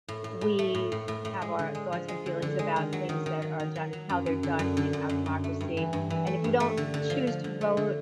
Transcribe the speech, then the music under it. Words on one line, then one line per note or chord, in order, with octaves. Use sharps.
We have our thoughts and feelings about things that are done and how they're done in our democracy, and if you don't choose to vote,
A2
A2
A2
A3
A2
A2
A2
A2
G#3
D3
G#3
F3
G#3
D3
D3
G#3
D#3
F#3
D#3
D#3
F#3
D#3
F#3
F#3
F#2
F#2
D3
F#2
D3
F#2
F#2
F#2
A3
G2
E3
G2
E3
A3
G2
A3
D3
D3
F3
F3
D3
A3
D3